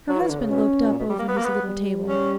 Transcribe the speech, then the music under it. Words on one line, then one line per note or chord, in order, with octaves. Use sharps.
Her husband looked up over his little table.
F#3
E3
D3
C#3
B2 C#4
B2
A#2
B2
G3
A#3
B3
A#3
B3
G3
C#4